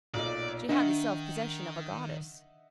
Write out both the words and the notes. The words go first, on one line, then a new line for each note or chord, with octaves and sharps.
She had the self-possession of a goddess.
B1 A#2 D5 D#5
D#3 D4 D#5 E5 F#5